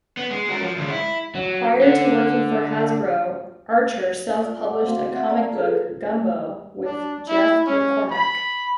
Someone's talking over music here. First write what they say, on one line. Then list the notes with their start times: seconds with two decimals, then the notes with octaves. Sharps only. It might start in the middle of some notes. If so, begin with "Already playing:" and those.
Prior to working for Hasbro, Archer self-published a comic book, "Gumbo", with Jeff McCormack.
0.17 B3
0.31 G#3
0.49 F#4 A#4
0.61 F3
0.76 D2 G#3
0.90 E4
1.35 F#3
1.81 D3
4.43 F4 D5
4.65 C5 F#5 D6
4.87 A#3 C4 F#4 F5
5.12 C4 E5 F#5
5.30 D5 A5 A#5
5.52 F4 G#4 A4 B4
6.85 D4
7.29 E4
7.67 C#4
8.11 B5